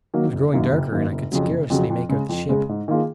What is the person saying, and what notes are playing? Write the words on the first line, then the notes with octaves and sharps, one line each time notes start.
It was growing darker, and I could scarcely make out the ship.
D#3 F#3 A#3
F#1
F#2 D#3 A#3
F#1
F#2 D#3 A#3
F#1
F2 C#3 F#3
F#1
F2 C#3 F#3
F2
C#3 G#3
F2
C#3 G#3
G#2
D#3 A#3 F4 G#4